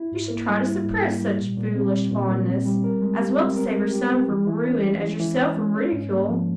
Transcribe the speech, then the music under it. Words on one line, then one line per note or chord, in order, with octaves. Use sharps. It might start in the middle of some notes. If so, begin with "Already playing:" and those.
'You should try to suppress such foolish fondness, as well to save your son from ruin as yourself from ridicule.'
Already playing: E4
G#2
A#3
G3
E4
G#2
A#3
G3
A#2
A#2
C4
G3
A#2
A#2
C4
G3
A#4
G#3
G4
C4
A#4
G#3
G4
C4
E3
E3
C#4
G#3
E3
E3
C#4
G#3
C#4
G#2
A#3
F3